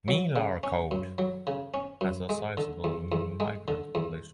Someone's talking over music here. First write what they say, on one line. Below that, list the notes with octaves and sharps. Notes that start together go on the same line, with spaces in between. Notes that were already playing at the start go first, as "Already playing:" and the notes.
Melarcode has a sizable migrant population.
F#3
C#3
C#4
F#2
F#3
C#3
C#4
F#2
G#3
D3
E2
E2
G#3
D3
E2